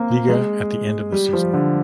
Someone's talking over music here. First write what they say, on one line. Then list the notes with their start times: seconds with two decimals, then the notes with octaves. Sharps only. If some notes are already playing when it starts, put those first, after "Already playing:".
Liga at the end of the season.
Already playing: A#3 C4
0.29 G#3
1.12 G3
1.33 F3
1.54 D3